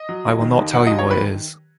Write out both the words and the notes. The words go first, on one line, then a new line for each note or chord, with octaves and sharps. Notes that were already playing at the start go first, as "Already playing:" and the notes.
I will not tell you what it is.
Already playing: D#5
F#3
D#2
D#3
D#2
F#3 F#5
D#2 D#5
C#5
D#3 B4